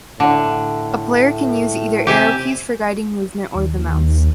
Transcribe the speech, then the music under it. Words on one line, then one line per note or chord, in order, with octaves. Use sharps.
A player can use either arrow keys for guiding movement or the mouse.
A2 D3
C3 G4 E5 G#5
D#2